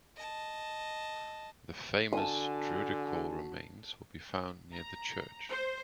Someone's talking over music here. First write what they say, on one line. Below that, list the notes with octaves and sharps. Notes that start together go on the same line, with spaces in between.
The famous "druidical remains" will be found near the church.
D#5 A5
D3 F#4 G#5 A5 D#6
A#5
C5